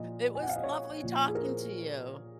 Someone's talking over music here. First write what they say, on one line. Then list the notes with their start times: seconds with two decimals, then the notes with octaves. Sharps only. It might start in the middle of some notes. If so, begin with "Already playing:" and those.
It was lovely talking to you.
Already playing: A#2 F3 D#5
0.35 G#5
0.43 F#5
0.49 F5
0.56 D#5
0.64 C#5
1.03 A#2 F3
1.28 G#4
1.35 A#4
1.44 C5